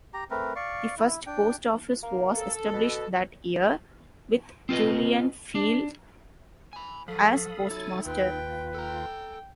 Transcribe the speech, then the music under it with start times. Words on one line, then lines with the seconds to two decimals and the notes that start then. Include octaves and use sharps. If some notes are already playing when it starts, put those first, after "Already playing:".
The first post office was established that year, with Julian Feild as postmaster.
0.14 G4 A#5
0.31 A3 C4 A#4 B4
0.56 D5 F5 C#6
0.98 E4
1.27 D4 G5
2.03 A#3
2.36 A4
2.74 B2
4.69 C4 F4 B4 D#5
5.55 D4
6.73 G#5 B5
7.08 F3 F#3 A4 F5 B5 D#6
7.70 F#3 D#4 E5 G#5 A6
8.06 D#2 F4 B4 G5
8.75 A4 G5 A#5